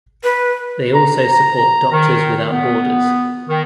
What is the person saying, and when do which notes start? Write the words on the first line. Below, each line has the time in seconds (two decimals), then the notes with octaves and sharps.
They also support Doctors Without Borders.
0.24 B4
0.94 A#5
1.92 D#3
2.51 B3
3.49 D#3